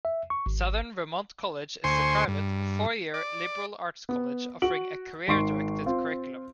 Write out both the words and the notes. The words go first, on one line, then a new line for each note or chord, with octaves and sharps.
Southern Vermont College is a private, four-year, liberal arts college offering a career-directed curriculum.
E5
C#6
G#1
D2 C5 G#5 C6 C#6
G2
D5
B3
F#4 D7 F#7
G#1 G#2 C6 C#6 C7 D7
C4 F4